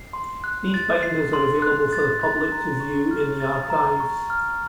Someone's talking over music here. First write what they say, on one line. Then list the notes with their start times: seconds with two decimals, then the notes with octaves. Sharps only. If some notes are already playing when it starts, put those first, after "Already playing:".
These binders are available for the public to view in the archives.
Already playing: C7
0.13 C6
0.44 F#6
0.74 A6
1.03 C7
1.33 C6
1.62 F#6
1.93 A6
2.21 A6
2.52 A#5
2.80 C#6
3.11 F6
3.40 A6
3.70 A#5
4.00 C#6
4.30 F6